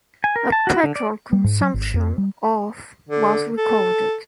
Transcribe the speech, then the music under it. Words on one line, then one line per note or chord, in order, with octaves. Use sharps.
A petrol consumption of was recorded.
G#5
A#4
A5
F#4
D3
D5
G3
G#2
F#3
G#1
F2
G3
D3
A4